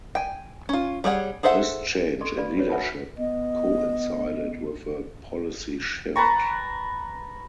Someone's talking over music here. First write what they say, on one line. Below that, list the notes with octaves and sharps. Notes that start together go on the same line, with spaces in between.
This change in leadership coincided with a policy shift.
G5 G#5
C#4 F4
G3 G#4 C#5 F#5
G#4 A4 C5 E5 F#5
A4 D#5 C6 C#6
B4 D5 F5 B5
F#4 B4 C#5
C#5 E5 F#5 G#5 A5 B5
B3 D#5
B4 A5 A#5 C#6